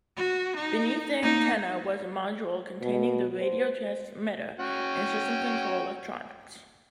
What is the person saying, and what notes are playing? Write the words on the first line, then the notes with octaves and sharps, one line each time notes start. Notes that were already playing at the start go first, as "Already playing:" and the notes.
Beneath the antenna was a module containing the radio transmitter and system control electronics.
F#4
D#4
A#3 D#4
B2
C5
C#4 F#4 G5